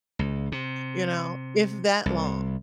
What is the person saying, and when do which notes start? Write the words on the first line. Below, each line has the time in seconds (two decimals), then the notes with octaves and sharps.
you know, if that long.
0.19 C#2
0.52 C3
2.06 C2